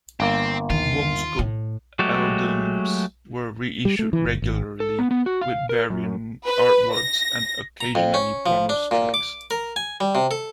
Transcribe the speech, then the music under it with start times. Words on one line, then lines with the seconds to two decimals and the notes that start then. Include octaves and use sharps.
Wumpscut albums were reissued regularly with variant artworks and occasionally bonus tracks.
0.20 G1 A#3 C4
0.70 D#2 D#3 F4
1.39 A2
1.99 F#3 G#3 A3 F#4 G4
3.85 G3
3.99 A3
4.13 E3
4.25 G1
4.42 G#1
4.80 A4
4.99 B3
5.11 B3
5.26 F#4
5.41 F5
5.69 A#4
5.90 F#2
6.47 B4
6.94 A#6
7.81 A#5
7.95 F2
8.14 C#4
8.46 F3
8.69 D4
8.91 A#2
9.14 D6
9.51 A#4
9.76 G#5
10.00 G3
10.15 C3
10.31 A4